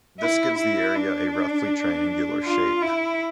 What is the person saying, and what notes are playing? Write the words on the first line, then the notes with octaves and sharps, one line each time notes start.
This gives the area a roughly triangular shape.
E4
E4
D4
F4
E4